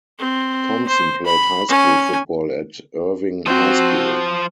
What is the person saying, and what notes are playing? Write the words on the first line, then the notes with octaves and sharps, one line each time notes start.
Thompson played high school football at Irving High School.
C4
C5
B5
C#4 G#5
F3 C4 F#4 C5